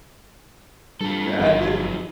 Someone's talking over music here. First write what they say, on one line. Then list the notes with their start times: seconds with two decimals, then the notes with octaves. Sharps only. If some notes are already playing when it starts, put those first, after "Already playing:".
yeah and they
1.01 G2 F4 A4
1.40 G1 F3 F#3 D#4 F4